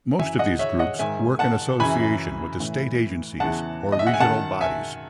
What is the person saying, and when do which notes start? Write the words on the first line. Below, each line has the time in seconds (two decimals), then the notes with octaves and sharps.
Most of these groups work in association with the State Agencies or regional bodies.
0.19 F#2 E3 E5 G#5
0.39 D#5 F#5
0.59 C#5 E5
0.79 D#5 F#5
0.99 G#2 D#3 E5 G#5
1.39 F#5 A5
1.80 F#2 C#3 E3 G#5 B5
2.60 A2 E3
3.40 E2 C#3 E3 F#5 A5
3.92 D#5
3.99 E5
4.07 F#5
4.14 G#5
4.20 F#2 D#3 F#5 A5
4.61 E5 G#5